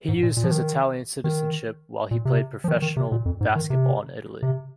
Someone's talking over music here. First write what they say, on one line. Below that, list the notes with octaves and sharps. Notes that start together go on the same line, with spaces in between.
He used his Italian citizenship, while he played professional basketball in Italy.
G#2
A#2
A#2
F3
D#3
D#3
A#2
C3
F3
D#3
D#3
C3
A#2
F2
G#2
D#3
C3
C3